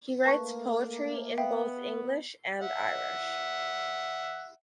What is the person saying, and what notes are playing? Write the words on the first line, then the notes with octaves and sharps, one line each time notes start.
He writes poetry in both English and Irish.
A3 A#3 B4 A5 C#6
B3 E5 F5 G5
E5 F#5